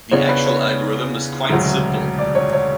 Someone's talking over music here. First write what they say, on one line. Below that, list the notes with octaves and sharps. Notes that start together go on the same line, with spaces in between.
The actual algorithm is quite simple.
E2 C#3 E3 B3 D4 C#5
B4
C#5
E1 D2 C#3 F#3
D5
C#5
C#5